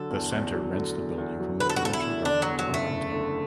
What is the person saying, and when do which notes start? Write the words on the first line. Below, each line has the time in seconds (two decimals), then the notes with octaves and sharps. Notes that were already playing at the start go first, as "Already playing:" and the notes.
The Centre rents the building from the provincial government of Gauteng.
Already playing: D3 F#3 A4
0.10 E2
0.31 E2
0.53 F#3
0.75 D3
0.96 E2
1.18 E2
1.40 F#3
1.60 D3 B4
1.69 A4
1.76 F#4
1.82 E2 A4
1.93 E4
2.04 E2
2.25 D3 D4
2.42 F#3
2.47 E2
2.59 F#3
2.68 F#1
2.74 A3
2.91 F#1
3.12 D3